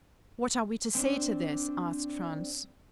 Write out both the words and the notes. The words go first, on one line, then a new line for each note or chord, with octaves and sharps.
"What are we to say to this?" asked Franz.
C4 D4